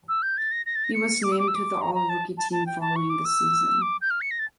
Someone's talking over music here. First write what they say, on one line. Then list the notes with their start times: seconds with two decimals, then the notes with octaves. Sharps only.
He was named to the All-Rookie Team following the season.
0.09 E6
0.22 G6
0.38 A6
0.52 A#6
0.66 A#6
0.75 A6
0.84 A#6
0.94 C#7
1.23 D6
1.32 E6
1.39 D6
1.48 E6
1.55 D6
1.81 A#5
1.95 A#5
2.09 A5
2.38 A5
2.52 A5
2.67 G5
2.81 A5
2.96 C#6
3.10 D6
3.25 E6
3.82 D6
4.01 G6
4.10 F6
4.21 C#7
4.31 A#6
4.39 A6